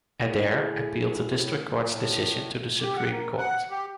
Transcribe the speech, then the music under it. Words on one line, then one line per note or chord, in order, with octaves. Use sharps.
Adair appealed the District Court's decision to the Supreme Court.
A2 G#4
A2
G4
F#5
A#3
F#5
G4